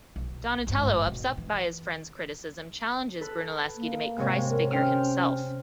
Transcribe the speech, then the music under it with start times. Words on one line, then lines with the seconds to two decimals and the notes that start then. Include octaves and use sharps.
Donatello, upset by his friend's criticism, challenges Brunelleschi to make Christ's figure himself.
0.16 B1
0.67 G1 G#2
1.06 B2
1.37 E3
3.21 A4 B4
3.77 A#3
4.17 G#2 C3 C#5
4.50 A#4
4.71 C#4 C5 G5 F6